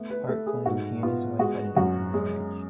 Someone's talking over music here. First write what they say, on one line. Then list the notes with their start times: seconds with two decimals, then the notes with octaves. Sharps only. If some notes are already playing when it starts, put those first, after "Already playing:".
Park claimed he and his wife had an open marriage.
Already playing: A3 B3
0.10 B4
0.29 A3 A4
0.46 G#4
0.66 G#2 F#4
1.03 B3 F4
1.39 G#3 F#4
1.76 F#2 F#4
2.14 G#3